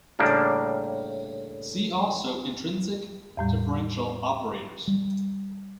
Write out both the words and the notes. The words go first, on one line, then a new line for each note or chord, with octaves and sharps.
See also intrinsic differential operators.
A2 C#3 G3 A#3 D4
E2 A2 G3
G3